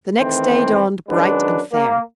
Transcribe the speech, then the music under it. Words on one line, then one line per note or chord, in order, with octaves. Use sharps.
The next day dawned bright and fair.
D#3 E3 A3 C4
F#2 D#3 G#3 D4 B4
A#3